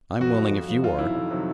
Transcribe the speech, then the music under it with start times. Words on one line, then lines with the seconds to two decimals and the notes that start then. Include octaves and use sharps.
"I'm willing if you are."
0.20 F2 F#4
0.36 D3 F3
0.51 F2
0.68 D3 F3
0.83 F2 F4
0.99 C3 D#3 F#3 E4
1.15 F2
1.30 C3 D#3 F#3